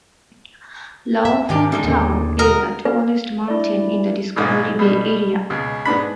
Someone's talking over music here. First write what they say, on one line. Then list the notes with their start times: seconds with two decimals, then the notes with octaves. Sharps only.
Lo Fu Tau is the tallest mountain in the Discovery Bay area.
1.25 E5
1.49 F2 G#2 D#3 D4 G4 G#5
1.72 G3 G#3 D#4
1.84 D#2 A2 D3
2.39 F#4 A#4 D#5
2.85 B4 F5
3.48 D4 E4 D5
4.36 A#1 G#2 B2
4.79 B2 G3
5.50 C#2 B2
5.85 G#2 B3 D4 B5